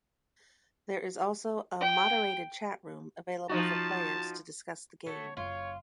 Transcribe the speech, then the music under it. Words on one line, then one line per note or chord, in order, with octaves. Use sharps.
There is also a moderated chat room available for players to discuss the game.
G5
F3 D#4 F#4 A5
A3 F#4 C#5
F#1 F4 C#5